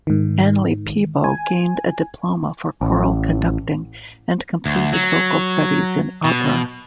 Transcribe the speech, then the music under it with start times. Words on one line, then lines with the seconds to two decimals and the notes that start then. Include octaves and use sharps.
Annely Peebo gained a diploma for choral conducting and completed vocal studies in opera.
0.07 G#2 D#3
1.24 G#5
2.81 A1
4.66 D2
4.93 F#3
6.24 B2